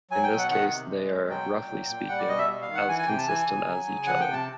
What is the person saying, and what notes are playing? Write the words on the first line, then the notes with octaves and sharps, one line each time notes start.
In this case, they are, roughly speaking, "as consistent as each other".
F#3 G#5
G5
B2
F#5
D#3 F#5
C3
G#3
B2
F#3 G5
A#2
F#3
A#2
G3 F#5
D5
B2 D#5
E5
G3
F5
D#3
F#5
E3 G#5
G#5
C3 G5
A5
E3 G#5
C#3
F#3
C#3
F3 F#5
G5
C3
A5